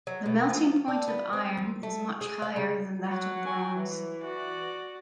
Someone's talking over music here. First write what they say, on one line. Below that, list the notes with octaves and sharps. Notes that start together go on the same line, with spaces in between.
The melting point of iron is much higher than that of bronze.
F#3
B2
F3
D4
B3
C4
A3
G#4
F5
C#3
F#3 F#5
F#4 G5 G#5
E3
F#4 D5